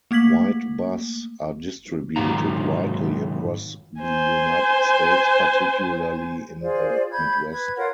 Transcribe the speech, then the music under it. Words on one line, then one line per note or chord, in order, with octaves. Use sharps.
White bass are distributed widely across the United States, particularly in the Midwest.
A3 A#3 G#6 B6 F#7
G#2 D#3 F#3 F4 A#5
C5 G#5
F4 G#4 C5 D5
B5 G6 G#6
B4 G#6
F4 A#4 C#5 F#5